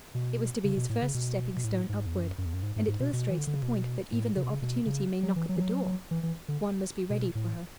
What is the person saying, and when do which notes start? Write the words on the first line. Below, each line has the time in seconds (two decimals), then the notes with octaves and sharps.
It was to be his first stepping stone upward, and it illustrates the point that even though Opportunity may knock at the door--one must be ready for her.
0.15 B2
0.64 C#3
0.77 B2
0.90 A2
1.02 C#3
1.14 B2
1.57 B2
1.64 A2
1.89 G#2
2.06 E2
2.14 F#2
2.38 F#2
2.45 E2
2.53 F#2
2.63 G#2
2.76 G#2
2.88 G#2
3.00 B2
3.13 B2
3.30 E3
3.37 D3
3.47 D3
3.55 C#3
3.62 B2
4.12 A2
4.36 C#3
4.44 B2
4.51 C#3
4.62 B2
4.86 C#3
5.23 F#3
5.36 E3
5.49 F#3
5.56 E3
5.60 F#3
6.11 E3
6.23 E3
6.48 D3
7.10 B2
7.35 A2